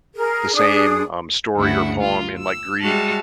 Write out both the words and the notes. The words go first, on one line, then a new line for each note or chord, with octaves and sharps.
the same, um, story or poem in, like, Greek,
G#4 A#4
D4 G#4 D#6
D2 G2 C#3 E4 F#5
F4
E6
G3 G#3 F#4 E5 A5 F6